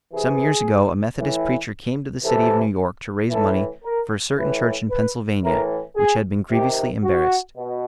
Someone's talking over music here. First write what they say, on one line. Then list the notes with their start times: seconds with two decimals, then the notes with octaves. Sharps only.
Some years ago a Methodist preacher came to the city of New York to raise money for a certain church in Pennsylvania which had been grievously embarrassed.
0.11 C3 E3 G#4
1.18 A2 E3
2.24 C3 E3 A4
3.30 A2 E3 A4
3.83 A#4
4.37 A2 E3 B4
4.90 B4
5.43 A2 E3 A#4
5.96 G#4
6.49 C3 D#3 G4
7.03 F#4
7.56 B2